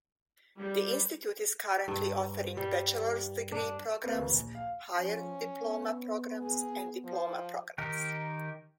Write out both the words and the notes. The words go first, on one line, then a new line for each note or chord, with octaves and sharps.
The institute is currently offering bachelor's degree programmes, higher diploma programmes and diploma programmes.
G3
G2
G3
D4
A#3 C4 B4
D2 E3
A#1
F5
F3 C#4
B3
G#4
F3
D#3 D#4 G4 A#4